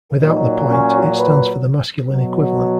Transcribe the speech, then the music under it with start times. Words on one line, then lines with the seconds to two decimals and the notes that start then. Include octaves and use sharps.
Without the point, it stands for the masculine equivalent.
0.22 A#2 F#3 D#4
0.69 C#4
1.17 B4
2.11 B2 F#3